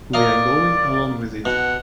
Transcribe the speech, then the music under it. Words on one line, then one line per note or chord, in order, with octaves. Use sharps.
We are going along with it.
A#4 D5 D#5 F5
B2 F#5